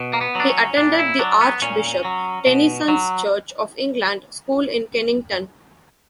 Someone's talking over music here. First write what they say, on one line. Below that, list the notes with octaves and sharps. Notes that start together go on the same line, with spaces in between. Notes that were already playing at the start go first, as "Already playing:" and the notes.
He attended the Archbishop Tenison's Church of England School in Kennington.
Already playing: B2
A#3
B3
F#3 D4
C#4
A#2 D4
E4
F#3 D4
B3
A#2 C#4
F#3
B2
F#3